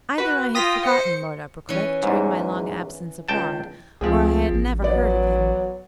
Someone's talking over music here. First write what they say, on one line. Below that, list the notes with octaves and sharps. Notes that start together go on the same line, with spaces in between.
Either I had forgotten Lord Uppercliff, during my long absence abroad, or I had never heard of him.
F#4 B4
F4 G5 D#6 A#6 B6
C5 C#7
E3 C#4
E2 G#2
C#2 G5 A5
C#2 F3 C4 G#4
A1
F#3 B3 D5